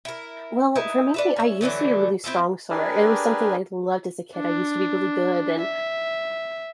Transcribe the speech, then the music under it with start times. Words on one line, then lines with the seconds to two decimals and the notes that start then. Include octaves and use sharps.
Well, for me, I used to be a really strong swimmer, it was something I loved as a kid. I used to be really good, and,
0.05 E4 A#4
0.75 D#4 E4 B4
1.14 D4 B4 E5
1.36 C#4 E5
1.61 D3 E3 F#3 A3
2.24 C4 E4 F4 A4
2.70 D4 G4 G#4 A#4 B4 D5
4.37 D4
5.61 E5